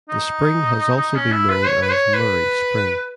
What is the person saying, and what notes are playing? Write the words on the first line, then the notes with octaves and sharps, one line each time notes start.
The spring has also been known as Murray Spring.
D#4
D#4
C#4
E4
B4
C#5
B4
C#5
B4